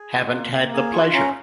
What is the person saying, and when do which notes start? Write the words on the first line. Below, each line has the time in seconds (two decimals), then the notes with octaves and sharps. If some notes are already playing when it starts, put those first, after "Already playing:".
Haven't had the pleasure.
Already playing: G#4
0.12 F4
0.33 A#3
0.53 A#3
0.73 G#4 D#6
0.93 F4 C#6
1.13 C#4 A#5